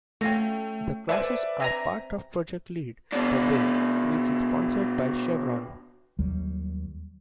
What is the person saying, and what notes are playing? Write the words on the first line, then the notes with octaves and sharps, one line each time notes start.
The classes are part of Project Lead the Way, which is sponsored by Chevron.
A3 C#4 F4 F#4 G5
A4 B4 C5 D5 E5 G#5
C3 G#5 A#5
B2 D4
D#2 F#3 G3